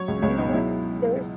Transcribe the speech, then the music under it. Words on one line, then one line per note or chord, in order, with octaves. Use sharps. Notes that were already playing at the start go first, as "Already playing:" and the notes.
You know, what, there's
Already playing: F#3 C#5
C#2
C#2 C#5
B2 D#4
F#3 E4